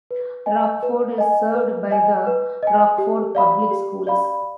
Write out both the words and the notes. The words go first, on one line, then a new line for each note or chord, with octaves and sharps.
Rockford is served by the Rockford Public Schools.
B4
D#5 G#5
B4
D#5 G#5
B4
D#5 G#5
B4
D#5 G#5
G4
D5 F5 B5
G4
D5 F5 B5